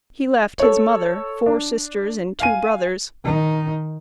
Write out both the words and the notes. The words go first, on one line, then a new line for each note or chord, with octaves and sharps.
He left his mother, four sisters and two brothers.
A4 C#5
D4
F5 G#5 D#7
D#3 D#4